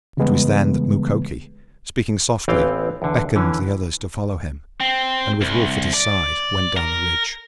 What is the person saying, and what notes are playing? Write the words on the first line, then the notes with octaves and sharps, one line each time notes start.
It was then that Mukoki, speaking softly, beckoned the others to follow him, and with Wolf at his side went down the ridge.
C#3 E3 G3 G#3 B3
A1 E3 B3 C4 F5 G5
E2 D3
D3 E3 C#4
C4
C2
D5
A#4